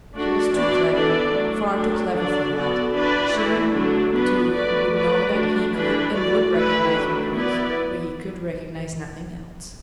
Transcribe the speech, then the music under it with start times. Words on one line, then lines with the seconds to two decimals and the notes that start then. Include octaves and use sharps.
She was too clever, far too clever for that--she, too, would know that he could and would recognise her voice where he could recognise nothing else.
0.13 A3 D4 F#4 D5
0.53 E3 D4 F#4 D5
0.93 E3 B3 D4 A4 D5
1.32 F#3 A3 D4
1.73 F#3 A3 D4 A4
2.12 F#3 D4 A4 D5
2.52 B3 F#4 A4 D5
2.93 E3 D4 F#4 B4 D5
3.32 E3 A3 E4
3.73 D3 F#3 A3 D4 A4
4.13 B3 D4 F#4 B4
4.53 F#3 A3 F#4 B4 D5
4.93 A3 F#4 B4 D5
5.33 A3 D4 F#4
5.73 E3 A3 D4 B4
6.13 A3 F#4 D5
6.54 E3 A3 E4 B4
6.93 F#3 A3 D4
7.33 B3 E4 B4 D5